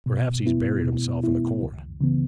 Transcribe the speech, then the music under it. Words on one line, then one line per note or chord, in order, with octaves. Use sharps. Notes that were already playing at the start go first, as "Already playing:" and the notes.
'Perhaps he's buried himself in the corn.'
B2
B3 E4
B2
B3 E4
C#2
C#3 E3 B3